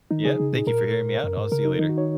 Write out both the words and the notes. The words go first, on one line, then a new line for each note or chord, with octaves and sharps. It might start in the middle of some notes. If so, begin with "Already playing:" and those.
Yeah, thank you for hearing me out, I'll see you later.
D#3 D#4
C#3 G#4
C#3
A#2
A#2 A#4
F#2
G#2
C#3 A#4
D#4
D#3 D#4
F#4
C#5